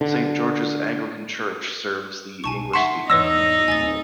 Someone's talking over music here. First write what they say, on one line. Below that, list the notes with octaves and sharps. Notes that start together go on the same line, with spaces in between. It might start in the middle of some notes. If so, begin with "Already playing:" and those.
Saint George's Anglican Church serves the English-speaking community.
D3
B1 G#5 A5 C#6
D#3 E5 F#5 A5 C6 C#6 B6
E2 G#2 D#4 B4 C#5 D5 E6 A#6
D1 G#5 A6